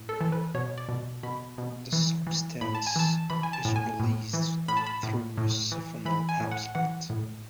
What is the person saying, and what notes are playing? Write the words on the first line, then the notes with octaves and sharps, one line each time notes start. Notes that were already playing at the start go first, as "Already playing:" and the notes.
The substance is released through a syphonal outlet.
Already playing: A2
A4
E3 A4
B4
B2 C#5
D5
B2
B2 B5
B2
E3
E3
A2 B5
A5
G#5
E3 A5
E3 B5
G#5
A5
A2
G#5
A2
E3
A2 B5
A5
B5
A2
A2
E3
E3 B5
G#5
A2
F#5
E3 F#5
A2